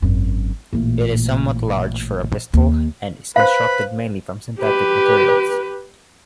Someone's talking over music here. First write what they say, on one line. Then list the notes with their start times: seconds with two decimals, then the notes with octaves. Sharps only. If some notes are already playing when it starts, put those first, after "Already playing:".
It is somewhat large for a pistol and is constructed mainly from synthetic materials.
0.02 G#1 F#2
0.73 A1 A#2
2.53 D#2
3.36 B4 C5 F5 B5
4.59 G4 B4